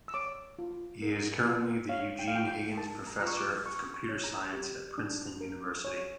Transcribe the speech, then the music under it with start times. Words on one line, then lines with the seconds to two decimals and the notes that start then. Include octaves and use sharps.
He is currently the Eugene Higgins Professor of Computer Science at Princeton University.
0.08 E6
0.14 C#5 D6
0.59 F4
1.02 A#4
1.45 F4
1.89 C#5 F5
2.19 G5
2.28 F5
2.34 F4 G5
2.48 G5
2.77 A#4 A5
3.07 A#5
3.19 F4 A#5
3.27 C#6
3.37 D6
3.65 A#4 C#6
3.94 C#6
4.09 C#5
4.24 A#5
4.53 G4
4.98 D4
5.41 A#4
5.85 C#5